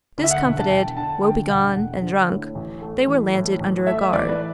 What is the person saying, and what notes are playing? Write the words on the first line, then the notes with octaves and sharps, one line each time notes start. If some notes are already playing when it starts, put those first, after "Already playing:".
Discomfited, woebegone, and drunk, they were landed under a guard.
D2
E5
F#5
E1
A5
E1 G5
D3 A5
D2 G5
E1 F#5
E1
D3
A2
A1
A3
E3
A2
A1
A3 E5
E5
E3 D5
B4